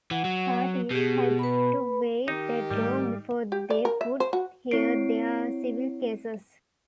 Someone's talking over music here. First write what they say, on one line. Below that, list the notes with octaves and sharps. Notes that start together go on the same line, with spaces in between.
Parties had to wait that long before they could hear their civil cases.
E3 F#5
F#3
B2 G4 G#4
B4 B5
D#3 D#4 G4
G#2 G3 A3
G4
D5
A#4
E5
C5
F#4
C4 E4 C#5 C7 D7